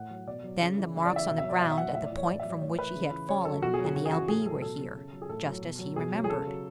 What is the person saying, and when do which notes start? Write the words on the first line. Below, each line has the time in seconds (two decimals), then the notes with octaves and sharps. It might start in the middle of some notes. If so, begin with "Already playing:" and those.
Then the marks on the ground at the point from which he had fallen and the L-B were here, just as he remembered.
Already playing: A2 F#5
0.10 F#3
0.27 B2 D5
0.44 F#3
0.61 C#3
0.78 E3
0.94 C#3
1.05 D5
1.11 E3 E5
1.28 B2 E5
1.38 E5
1.44 F#3
1.50 D5
1.61 B2 E5
1.71 E5
1.78 F#3 F#5
1.94 A2 E5
2.06 D5
2.11 E3
2.17 C#5
2.28 A2 D5
2.40 E5
2.45 F#3
2.51 D5
2.62 A2 C#5
2.78 E3 B4
2.95 C#3
3.12 E3
3.29 C#3 C#5
3.45 F#3 A4
3.62 B2 F#4
3.74 G#4
3.79 F#3
3.85 G#4
3.96 C#3 F#4
4.05 G#4
4.12 E3 F#4
4.28 A2 G#4
4.46 F#3 A4
4.62 B2 A4
4.79 F#3
4.95 C#3
5.13 F#3
5.22 G#4
5.29 A2 A4
5.46 F#3
5.63 B2
5.79 F#3
5.96 B2 G#4
6.13 F#3
6.24 G#4
6.30 C#3 A4
6.47 F#3